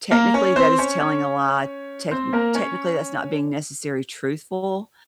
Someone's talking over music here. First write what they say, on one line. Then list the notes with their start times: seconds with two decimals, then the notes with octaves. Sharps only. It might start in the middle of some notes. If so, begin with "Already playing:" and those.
technically, that is telling a lie, techni technically, that's not being necessary truthful,
0.11 A#3 A#4
0.34 C#4 C#5
0.56 C4 C5
0.78 C#4 C#5
1.00 C#4 C#5
2.11 C4 C5
2.33 A#3 A#4
2.55 C#4 C#5